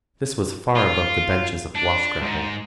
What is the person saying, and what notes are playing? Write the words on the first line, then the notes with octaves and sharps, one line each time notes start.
This was far above the benches of wash-gravel.
F4
D4
G#2